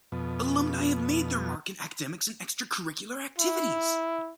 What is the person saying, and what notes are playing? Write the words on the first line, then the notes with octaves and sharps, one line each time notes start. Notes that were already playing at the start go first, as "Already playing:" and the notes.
Alumni have made their mark in academics and extra curricular activities.
F2 B2
E4